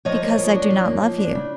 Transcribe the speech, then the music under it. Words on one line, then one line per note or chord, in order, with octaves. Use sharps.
"Because I do not love you."
F3 C#5 D#5
A#3
F3
D4
F3
A#3
F3
D4
C#3